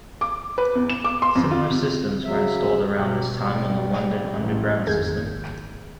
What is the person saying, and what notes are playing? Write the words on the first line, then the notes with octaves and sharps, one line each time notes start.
Similar systems were installed around this time on the London Underground system.
D6
B4
E2
E7
D6
C6
F2
F4
C3
C#3 F#3 E5
B2 F#3 G4
G3
A1
G#1 F2 D#3 G#4 G6 G#6